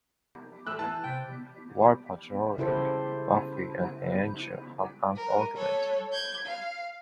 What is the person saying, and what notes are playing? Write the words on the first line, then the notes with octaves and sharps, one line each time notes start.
While patrolling, Buffy and Angel have an argument.
A3 E6 F#6
E3 A5 D#7
C3 G5 A6
C#3 E4 G4 A4 C5
A#4
A4 C#5
G6 G#6
F5